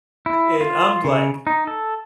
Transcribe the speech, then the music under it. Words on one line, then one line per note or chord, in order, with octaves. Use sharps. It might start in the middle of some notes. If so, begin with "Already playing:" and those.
and I'm like,
E4
F4
C#3
D#4
A4